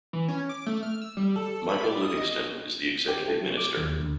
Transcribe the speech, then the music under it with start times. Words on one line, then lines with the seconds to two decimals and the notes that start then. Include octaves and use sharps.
Michael Livingston is the Executive Minister.
0.13 E3
0.28 C#4
0.49 D6
0.66 A3
0.83 F6
1.02 E6
1.17 G3
1.36 A4
1.69 B5
1.84 D5
2.01 D#6
2.17 D#5
3.08 G4
3.28 A3
3.41 F#3
3.57 D6
3.77 D#2
4.00 D2